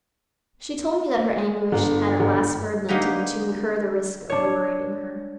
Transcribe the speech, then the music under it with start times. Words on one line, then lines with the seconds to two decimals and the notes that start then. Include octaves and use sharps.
She told me that her anguish had at last spurred Linton to incur the risk of liberating her.
1.72 G1
2.20 G1
2.89 D3 A#3 B3 D#4 G4 A#5
4.30 D4 C#5